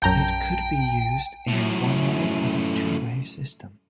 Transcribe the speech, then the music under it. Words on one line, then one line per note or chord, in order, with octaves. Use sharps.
It could be used in a one-way or two-way system.
A#1 F#2 G5 A5 A#5 G6
F#2 A2